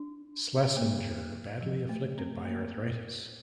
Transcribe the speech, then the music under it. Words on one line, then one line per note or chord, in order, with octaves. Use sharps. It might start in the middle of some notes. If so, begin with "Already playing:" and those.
Schlesinger badly afflicted by arthritis.
Already playing: D4
A#3
F3
A3
C4
A#3